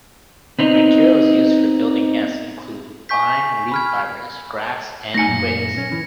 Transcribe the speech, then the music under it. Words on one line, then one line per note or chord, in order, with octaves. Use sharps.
Materials used for building nests include fine leaf fibers, grass, and twigs.
B3 C4 D#4
G#5 C#6 G6 B6
B5 F6 G#6
A3 D#4 G#5 A#6 C#7
F#2 A#2
C#4
E3